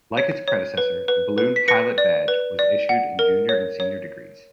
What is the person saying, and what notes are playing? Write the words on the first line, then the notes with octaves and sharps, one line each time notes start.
Like its predecessor, the Balloon Pilot Badge was issued in junior and senior degrees.
C#5
C#5
B4
B4
B4
B6
B4 A#6 C#7
D5
B4
D5
F#5
A#4
C#5
C#5